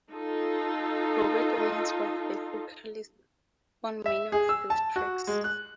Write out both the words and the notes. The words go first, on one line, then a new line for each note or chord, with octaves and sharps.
Robert Owens was the vocalist on many of those tracks.
D#4 F4 A4
E5
G#4
E6
A5
F#4
G#3
F#6